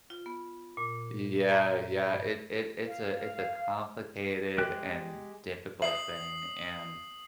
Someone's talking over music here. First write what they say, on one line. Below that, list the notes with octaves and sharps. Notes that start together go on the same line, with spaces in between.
Yeah, yeah, it it it's a it's a complicated and difficult thing, and,
F4
B3
A#2
A#5
G2
F5
G#3 G4 G5 F#6
E5 D#6 C7 F#7